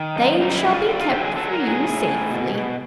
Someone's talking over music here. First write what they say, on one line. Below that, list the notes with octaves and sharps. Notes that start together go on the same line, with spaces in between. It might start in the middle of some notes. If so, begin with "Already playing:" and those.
They shall be kept for you safely.'
Already playing: D#3
F#2 D#4
G3 D#4
E4
G3
F4
D3 G4
F4
F#3 G4
G#4
F#3 A4
A#4
F#3
G#4
A2
A2
B2
B2